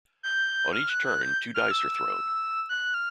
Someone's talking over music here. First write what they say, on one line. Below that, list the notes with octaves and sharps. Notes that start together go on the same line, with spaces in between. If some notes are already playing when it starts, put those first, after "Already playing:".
On each turn two dice are thrown.
G6
F6
F#6
F#6
G6
F6
E6
F#6
F6